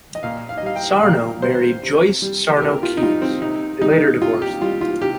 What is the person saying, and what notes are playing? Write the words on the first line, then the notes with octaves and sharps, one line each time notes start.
Sarno married Joyce Sarno Keys; they later divorced.
D#5
A#2 F5
F5
D#5
G3 F5
G5
A#2 F5
G3 C5
C3
G3
G4
C3 A#4
F4
D#4
G3 F4
C4
C3 D#4
G3 D#4
C3 F4
G4
G3 F4
F4
C3 G4